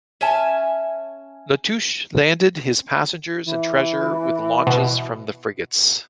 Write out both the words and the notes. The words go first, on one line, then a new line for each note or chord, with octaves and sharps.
Latouche landed his passengers and treasure with launches from the frigates.
C#4 E5 G#5 A5
E3
B2